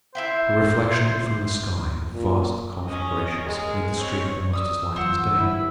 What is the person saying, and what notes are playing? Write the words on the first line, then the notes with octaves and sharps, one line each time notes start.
The reflection from the sky of vast conflagrations made the street almost as light as day.
E4 C5 E5 G5
A#2
C#4 D#5
G#3 A#4
C4 C#5
D5 D#6 E6
E3 F#3 F4 C5 F#5 E6
G1 E4